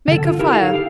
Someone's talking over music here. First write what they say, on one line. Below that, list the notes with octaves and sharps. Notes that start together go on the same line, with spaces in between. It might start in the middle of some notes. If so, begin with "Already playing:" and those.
Make a fire.
D3 A4
F4
E4 G4 A#4
D#4 A4 F5
G4 F5